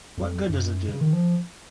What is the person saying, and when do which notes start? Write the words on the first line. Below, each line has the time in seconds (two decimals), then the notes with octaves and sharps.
What good does it do?
0.17 F2
0.49 F#2
0.88 C#3
1.01 D#3
1.13 F3